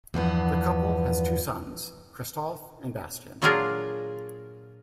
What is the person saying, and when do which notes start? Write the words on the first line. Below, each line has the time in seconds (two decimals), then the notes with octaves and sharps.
The couple has two sons, Christoph and Bastian.
0.14 E2 G2 F3 B3
3.42 A#2 F#3 D4 F4 G#4 A#4